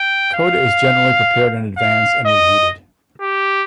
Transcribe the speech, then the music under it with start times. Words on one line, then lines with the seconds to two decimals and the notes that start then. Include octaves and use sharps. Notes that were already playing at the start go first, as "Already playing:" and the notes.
Coda is generally prepared in advance and reheated.
Already playing: G5
0.34 F5
1.78 F5
2.26 D#5
3.21 G4